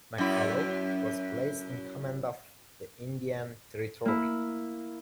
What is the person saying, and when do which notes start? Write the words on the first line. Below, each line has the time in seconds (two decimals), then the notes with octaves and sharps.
McCulloch was placed in command of the Indian Territory.
0.18 F#2 E4
4.05 A#3 E4